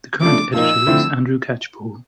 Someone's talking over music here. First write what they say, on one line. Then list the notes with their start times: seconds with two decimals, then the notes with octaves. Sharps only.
The current editor is Andrew Catchpole.
0.21 C#3 F3 A3 D4 D6
0.54 A#2 F3 A#3 D#4 E6
0.87 D3 F3 A3 C4 E4